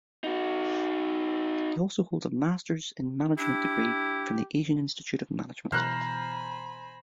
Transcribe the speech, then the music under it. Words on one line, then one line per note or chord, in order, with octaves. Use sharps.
He also holds a Masters in Management degree from the Asian Institute of Management.
D#4 F#4
D4 E4 G4
B2 E3 C5 G#5 A#5 B5 F6 F#6